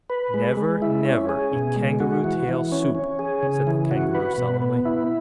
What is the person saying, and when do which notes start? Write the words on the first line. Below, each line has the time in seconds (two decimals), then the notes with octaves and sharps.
"Never, never eat kangaroo-tail soup!" said the Kangaroo, solemnly.
0.10 B4
0.34 G#3
0.57 G#3
0.82 E4
1.05 C#4
1.29 G#4
1.53 B2
1.76 G#3
2.00 F#4
2.24 E3
2.48 E3
2.72 C#4
2.95 C#4
3.19 G#4
3.43 C#3
3.67 E3
3.91 F#4
4.15 B4
4.38 B2
4.62 B3
4.85 E4